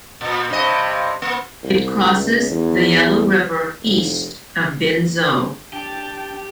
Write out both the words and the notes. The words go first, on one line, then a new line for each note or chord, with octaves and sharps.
It crosses the Yellow River east of Binzhou.
A#2
G2 C3 D#5
A#3
C2
C#2
E2
F1
D4 G4 G5 A5